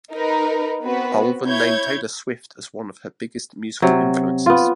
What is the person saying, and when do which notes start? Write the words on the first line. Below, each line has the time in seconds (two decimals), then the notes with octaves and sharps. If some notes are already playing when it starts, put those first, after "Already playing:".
Ulven named Taylor Swift as one of her biggest musical influences.
0.12 D#4 A#4 B4
0.83 B3 C4 F#4 B4
1.46 E4 C#5 G6 G#6
3.82 C3 F#3
4.46 B3 F4